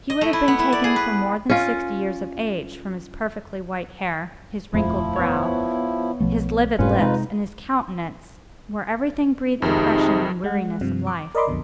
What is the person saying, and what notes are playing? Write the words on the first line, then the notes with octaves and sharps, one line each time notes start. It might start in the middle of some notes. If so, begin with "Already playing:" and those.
He would have been taken for more than sixty years of age, from his perfectly white hair, his wrinkled brow, his livid lips, and his countenance, where everything breathed depression and weariness of life.
D#5
A3
E4
B3
E4
D5
G#4
B4
C#4 F4
D#1 F2 F3 A3 E4
B3 C#5
B1 F3 A3
F1 F2 G#2 A3 C#4 F4 B4
C3 G#3 D#4
F2 C3 D#3 G#3 D#4
G#3 F#5
G2 C3 F3
D6
A#4 D5 D#5 B5 C6 D6
B1 F2 B2 D3